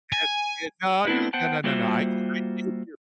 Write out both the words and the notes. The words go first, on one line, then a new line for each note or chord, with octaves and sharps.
That's it. No, no, no, no, no. I I gave you
G#5
A3 B3 C4 D4 E4 B4
B3 C5 F#5 G5 A5
G3 A#3 F4 F#4 C5 E5